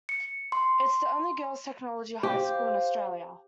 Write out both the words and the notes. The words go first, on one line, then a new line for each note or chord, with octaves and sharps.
It's the only girls Technology high school in Australia.
C#7
C6
G4 C5 F5